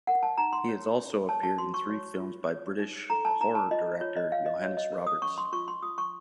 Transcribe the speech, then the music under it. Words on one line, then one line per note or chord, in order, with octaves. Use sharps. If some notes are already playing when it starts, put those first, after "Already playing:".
He has also appeared in three films by British horror director Johannes Roberts.
A#4 F#5
A5
D#4 A#5
C6
C#5
C#4
C#5 A5
A5
F#4 C6
C#6
C#5
F4
C#5
D#4
A4 A#5
A5
D#4 A#5
A5
F4 D#5
F4 C#5
D#5
C#5 F5
D#5
F#4 C#5
D#5
A#4
D#6
C#4 C#6
C6
F4 C#6
C6
F4 D#6
C#6